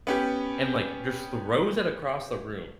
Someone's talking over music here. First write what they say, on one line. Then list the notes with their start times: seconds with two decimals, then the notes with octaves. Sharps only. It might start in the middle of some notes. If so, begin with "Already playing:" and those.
and, like, just throws it across the room,
0.07 B3 C#4 G4